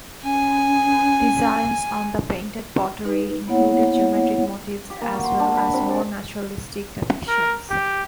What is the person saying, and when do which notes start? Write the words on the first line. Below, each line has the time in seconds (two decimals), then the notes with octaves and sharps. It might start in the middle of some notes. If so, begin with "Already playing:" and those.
Designs on the painted pottery included geometric motifs as wells as more naturalistic depictions.
0.23 C#4 G#5
3.05 D#4 B4
3.47 A#3 B3 E4 C#5 F#5
4.90 G4
5.01 A#3
5.13 F#4
5.24 C6
5.40 D4
5.57 B5
5.74 C3
5.90 D5
7.28 A#4
7.70 G4